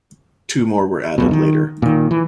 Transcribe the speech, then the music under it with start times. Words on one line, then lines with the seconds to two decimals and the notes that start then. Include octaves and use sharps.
Two more were added later.
1.18 E1 B1 B2
1.31 D#3
1.82 A#2 D#3
2.11 E3